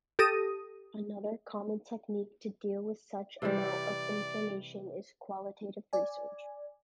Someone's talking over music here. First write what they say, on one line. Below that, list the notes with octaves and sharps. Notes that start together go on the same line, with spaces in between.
Another common technique to deal with such amount of information is qualitative research.
G4 A4 D#6 A#6 D#7
C3 E3 G3 D5
D5 G#5